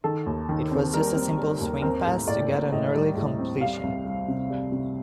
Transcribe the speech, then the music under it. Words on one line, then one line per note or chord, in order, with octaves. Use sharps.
It was just a simple swing pass to get an early completion.
D#3 A4
D#2
D#3
C4
G3 A#4
C4
G3
D#2
C4 A#4
A2
A2 D5
A2
A2 D#5
G3
A2
C4
G3 F5
C2
G3
C3
G3
C3